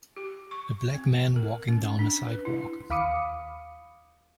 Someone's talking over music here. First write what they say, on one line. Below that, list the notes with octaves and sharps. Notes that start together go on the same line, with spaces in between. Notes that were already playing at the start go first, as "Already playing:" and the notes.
A black man walking down a sidewalk.
G4
C#6
C4
A#4
C#4
D4
B4
E4
D#2 F5 B5 D6 D#6 C#7